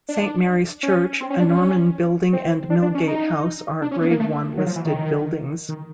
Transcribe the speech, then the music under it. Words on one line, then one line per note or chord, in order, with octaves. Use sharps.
Saint Mary's church, a Norman building and Milgate House are Grade One listed buildings.
D4
C#4
C4
C#4
D4
C#4
C4
D4
D4
C#4
D#4
D4
C#4
B3
A#3
A3
F#3
F3
E3
D#3
D#3